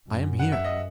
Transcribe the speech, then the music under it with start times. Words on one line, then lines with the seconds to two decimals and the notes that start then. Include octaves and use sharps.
I am here.'
0.09 F#2
0.39 F#5
0.52 E5
0.64 D#5